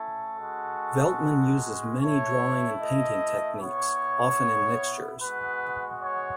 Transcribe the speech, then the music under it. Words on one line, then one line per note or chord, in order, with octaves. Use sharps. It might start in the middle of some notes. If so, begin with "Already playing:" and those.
Veltman uses many drawing and painting techniques, often in mixtures.
Already playing: A3 C#4 E4 A4
G#3 C#4 F#4
A3 E4 C#5
D#5
B3 E4 C#5
G#3 B3 F#4 B4
C#5